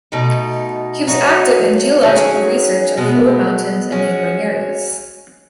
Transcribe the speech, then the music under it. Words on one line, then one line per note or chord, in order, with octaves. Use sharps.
He was active in geological research of the Ore Mountains and neighbouring areas.
B2 A3 D#4
F#3 A3 D#4 F#4
D#3 F#3 C#4 G#4
B2 G#3 B3
G#3 C#4 F#4